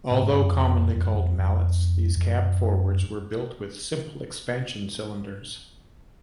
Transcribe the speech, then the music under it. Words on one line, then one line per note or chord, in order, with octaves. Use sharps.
Although commonly called "Mallets" these cab-forwards were built with simple expansion cylinders.
A2
G#2
G2
F#2
F2
F2
F#2
F2
F2
F2
F#2